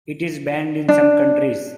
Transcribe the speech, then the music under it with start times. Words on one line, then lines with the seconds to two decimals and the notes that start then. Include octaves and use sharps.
It is banned in some countries.
0.89 D4